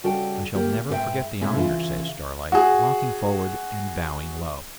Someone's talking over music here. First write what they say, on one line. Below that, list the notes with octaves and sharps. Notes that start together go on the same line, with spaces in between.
'I shall never forget the honour,' says Starlight, walking forward and bowing low.
C#3 G3 F#4 A4 G5
D2 A#3 G4
G#2 A4 B4 C5 E5 G5
A2 C#3 G#3 C4 D#4 E4
C#3 E3 E4 F4
F#4 G#4